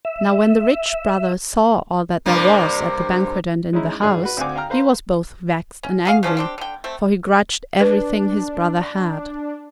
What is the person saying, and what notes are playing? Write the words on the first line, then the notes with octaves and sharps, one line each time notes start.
Now when the rich brother saw all that there was at the banquet and in the house, he was both vexed and angry, for he grudged everything his brother had.
E5
G2 C3 A#3
G#3 C#4 D#4 E4
G#1 G2 G#4
F#4 B4
D2 C4 F5 F#5 G#5 D6
F5 G5 A#5 F6
B4 C5 F5 A#5 C6
C#4
F#4 G#4 F5
C#3 F3 C#4 D4
C4 D4 G4
D3 G5
A3 C4
D4 B4